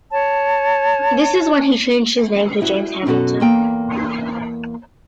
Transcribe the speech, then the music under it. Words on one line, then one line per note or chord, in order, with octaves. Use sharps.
This is when he changed his name to James Hamilton.
C#5 A5
E4 F#4
F#2 B2 C#4 F#4 A4
E2 A#3 G5